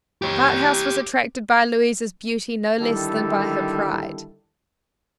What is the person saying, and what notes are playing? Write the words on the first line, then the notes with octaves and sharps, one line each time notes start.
Harthouse was attracted by Louisa's beauty no less than by her pride.
G4 C#5
D3 D#3 G3 E4 A4